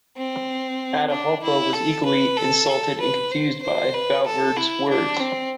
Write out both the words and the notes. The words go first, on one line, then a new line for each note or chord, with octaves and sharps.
Atahualpa was equally insulted and confused by Valverde's words.
C4
D4
E4
A4
B4
A4
A4
B4
C5
C5
B4
A4
E4
D4
C4